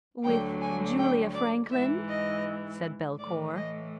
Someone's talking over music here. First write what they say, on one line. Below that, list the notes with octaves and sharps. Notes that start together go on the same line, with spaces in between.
"With Julia Franklin," said Belcour.
D2 D3 F#3 G5
G#5
G5
D5
G#2 E3 E5
D#5
A2 E3 D5
D#5